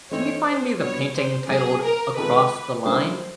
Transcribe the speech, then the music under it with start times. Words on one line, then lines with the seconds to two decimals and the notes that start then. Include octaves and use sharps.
Can you find me the painting titled Across the Line?
0.11 E3 A3 C4 D#4 C#5
0.46 C5
0.79 G3 B3 D4 F#4 C#5
1.14 C5
1.48 C#3 F#3 A3 G#4
1.83 A#4
2.17 D#3 G#3 C4 F4 A4 B4
2.85 D3 G3 A#3 C#4 E4 C5